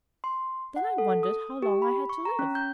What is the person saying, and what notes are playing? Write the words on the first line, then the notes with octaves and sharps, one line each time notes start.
Then I wondered how long I had to live.
C6
F#5
A4
D#6
G4
B5
C#6
A#5
C#4
G6